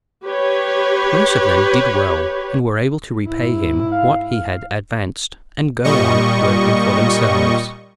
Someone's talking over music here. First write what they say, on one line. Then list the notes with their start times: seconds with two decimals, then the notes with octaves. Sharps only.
Most of them did well, and were able to repay him what he had advanced, and go on working for themselves.
0.25 G4 B4 C#5
3.24 G#2 E4
3.91 F5
5.84 A#2 G3 D#5 C#6